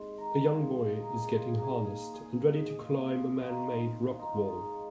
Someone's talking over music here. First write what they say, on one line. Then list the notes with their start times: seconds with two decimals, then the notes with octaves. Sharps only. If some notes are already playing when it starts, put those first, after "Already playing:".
A young boy is getting harnessed and ready to climb a manmade rock wall.
Already playing: G#2 C3 G#3 C4 C6
0.18 D#3 A#5
0.44 F4
0.50 G#3 C4 G#4
0.84 C3 G#4
1.00 A#4
1.16 G#3 C4 G#4
1.32 F4
1.49 D#3 G#4
1.57 A#4
1.64 G#4
1.82 A#3 G#4
2.14 A#2 G#4
2.47 F3 G#3 G#4
2.70 G#4
2.79 A#2 F4
3.12 F3 C4 F4
3.38 F4
3.45 D#3 D#4
3.77 C4 F4
4.10 D#3 F4
4.19 D#4
4.29 F4
4.43 G#3 C4